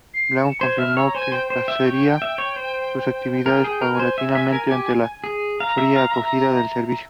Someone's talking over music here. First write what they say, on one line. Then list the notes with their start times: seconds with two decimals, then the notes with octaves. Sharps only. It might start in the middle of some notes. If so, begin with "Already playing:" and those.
Australian timber is used throughout the building.
0.13 C7
0.36 C#7
0.44 E7
0.51 C#7
0.60 C5 G#6
0.78 E5 F6
0.97 C#5 E6
1.06 A#5
1.14 C5 G#5
1.32 C5 G5
1.50 C5
1.68 E5
1.86 C#5
2.22 E5
2.38 C#5
2.56 C5
3.45 A#4 G5
3.64 G#4 G5
3.82 A#4
3.93 G#5
3.99 C5
4.18 E5
4.35 E5
4.53 A#4
4.71 G4
5.24 G#4
5.59 F5 A#5
5.78 E5
5.96 F5
6.14 E5